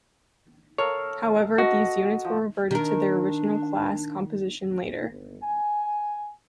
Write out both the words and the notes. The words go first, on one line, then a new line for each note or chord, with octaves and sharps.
However these units were reverted to their original class composition later.
A4 A#4 C#5 F5
F#4 D#5 F#5 A5
F3
D#3 D4 A#4
G1
G#5